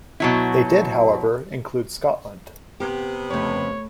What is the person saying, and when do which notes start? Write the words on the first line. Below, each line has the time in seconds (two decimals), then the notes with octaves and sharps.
They did, however, include Scotland.
0.20 B2 F#3 E4
2.80 C3 B3 G4
3.30 F2 C#3 A3 C#5 B5